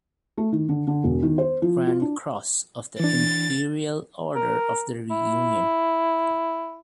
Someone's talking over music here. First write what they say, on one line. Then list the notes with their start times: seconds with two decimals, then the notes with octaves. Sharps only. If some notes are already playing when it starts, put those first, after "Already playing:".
Grand Cross of the Imperial Order of the Reunion.
0.38 A3
0.52 D#3
0.69 D3
0.87 D3
1.04 E1
1.23 D#3
1.38 C5
1.62 F3
1.87 F4
2.02 D4
3.00 E3 D4 A6
4.36 A#4
5.11 E4